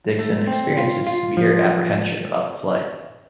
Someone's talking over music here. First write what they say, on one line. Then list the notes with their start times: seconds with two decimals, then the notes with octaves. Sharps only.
Dixon experiences severe apprehension about the flight.
0.19 A3
0.47 C4
0.77 F4
1.07 F4
1.37 F3